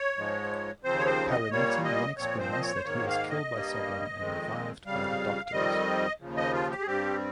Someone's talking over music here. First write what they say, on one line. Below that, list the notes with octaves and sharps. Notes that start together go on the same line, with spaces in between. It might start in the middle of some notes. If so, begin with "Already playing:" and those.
Parineeti then explains that he was killed by someone and revived by the doctors.
Already playing: C#5
G#2 F3 G#3
D#2 C#3 F3 C4 C5
C#5
C5
D#5
A#2 G3 A#3 C#5
D#5
A#2 F3 C4 C#5
C5
D#5
C#5
C5
G#2 D#3 A#3 C#5
F5
D#5
G2 G3 A#3
F2 D#3 G#3 C4
F2 C#3 G3 F5
F5
F2 D#3 G3 C4 D#5
D#2 C#3 F3
D#5
F4
G4
G#4
G2 G3 C4 G4